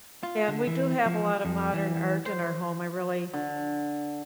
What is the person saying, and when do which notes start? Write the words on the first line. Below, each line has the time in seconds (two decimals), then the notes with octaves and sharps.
And we do have a lotta modern art in our home. I really
0.23 F4
0.48 D3
0.67 E3
1.06 F3
1.45 F2
1.74 E3
2.26 C5
3.33 D3